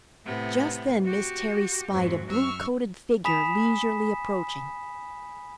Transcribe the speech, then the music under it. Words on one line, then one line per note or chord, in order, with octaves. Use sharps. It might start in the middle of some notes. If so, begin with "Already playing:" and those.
Just then Miss Terry spied a blue-coated figure leisurely approaching.
A2 C3 B3
F#4 G4
F2 G#2 F#3
F#2 C#6 E6 F6
G#5 B5 D#6 B6 E7